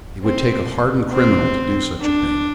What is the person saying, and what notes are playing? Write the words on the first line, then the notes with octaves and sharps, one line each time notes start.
It would take a hardened criminal to do such a thing.
C4
C4
D4